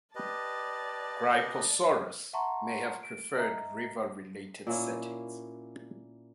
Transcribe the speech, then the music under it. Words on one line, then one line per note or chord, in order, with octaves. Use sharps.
"Gryposaurus" may have preferred river-related settings.
G4 B4 D5 D#5 A5
E5 F#5 A5 A#5 C6 C#6
D7
D#5 E5 A#5
A#2 A#3 C#4 E4